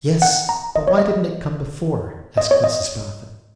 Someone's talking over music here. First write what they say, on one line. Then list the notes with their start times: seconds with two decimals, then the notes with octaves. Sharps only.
'Yes; but why didn't it come before?' asked Mrs Boffin.
0.22 F#5
0.49 A#5
0.76 D#5
0.88 C#5
0.98 D#5
2.37 D#5
2.51 C#5
2.64 D#5